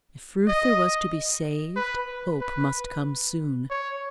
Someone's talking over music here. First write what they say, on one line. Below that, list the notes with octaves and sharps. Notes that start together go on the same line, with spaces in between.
If Reuther was to be saved, hope must come soon.
D#5
B4
B4
C#5